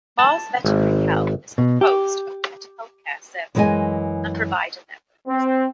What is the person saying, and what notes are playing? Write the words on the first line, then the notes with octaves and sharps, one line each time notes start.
Mars Veterinary Health is composed of pet healthcare services and provider networks.
A5
G#1
B2
G4
F#2 E3 G#3 G4 D#5 G#5
C4